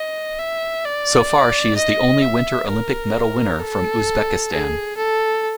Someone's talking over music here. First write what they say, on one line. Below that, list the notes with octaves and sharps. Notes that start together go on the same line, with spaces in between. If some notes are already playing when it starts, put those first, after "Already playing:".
So far she is the only Winter Olympic medal winner from Uzbekistan.
Already playing: D#5
E5
D5
D#5
E5
A#4
A4
G#4
A4